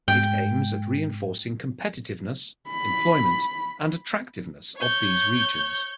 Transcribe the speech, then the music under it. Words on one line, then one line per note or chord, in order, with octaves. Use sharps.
It aims at reinforcing competitiveness, employment and attractiveness of these regions.
G#2 G#3 G5
B5
C#5 G6